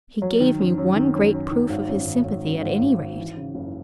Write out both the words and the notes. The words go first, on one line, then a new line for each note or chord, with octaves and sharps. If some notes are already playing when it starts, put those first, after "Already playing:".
"He gave me one great proof of his sympathy, at any rate."
F#3
D#3
F#2
F#2
D#3
F#2
F#2
D#3
G#1
F#2
G#1
G#1
F#2
G#1
G#1
D#3
E3
C#3
F#1